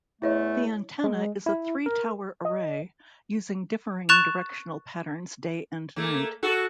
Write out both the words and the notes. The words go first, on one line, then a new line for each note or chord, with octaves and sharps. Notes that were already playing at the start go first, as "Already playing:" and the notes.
The antenna is a three-tower array, using differing directional patterns day and night.
E2 A3 E4 C#5 D#5
G#3
E4
A#4
D#5
C#6 F#6 A6 E7 F7
A3 A#3
F#4 A4